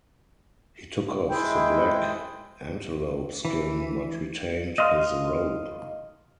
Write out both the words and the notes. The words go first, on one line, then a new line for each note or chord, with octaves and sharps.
He took off the black antelope skin but retained his robe.
G#3 E4 G5
E3
D#5 F5 C6